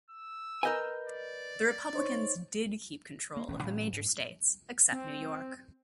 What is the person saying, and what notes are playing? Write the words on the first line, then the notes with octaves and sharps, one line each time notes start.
The Republicans did keep control of the major states except New York.
E6
A#4 B4 D#5 G#5 G6
D5
D#4 C5 C#5
A#3
E1 A1 D#2 C#4
A2 C#3 E3 F#3
G#2
C4